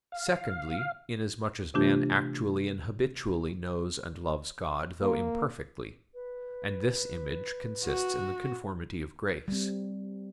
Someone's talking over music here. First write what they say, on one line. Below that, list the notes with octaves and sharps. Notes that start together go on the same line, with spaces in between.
Secondly, inasmuch as man actually and habitually knows and loves God, though imperfectly; and this image consists in the conformity of grace.
F5
C3 E3 A3 D4 F4 G4
A#3
B4
F#4
G3 C4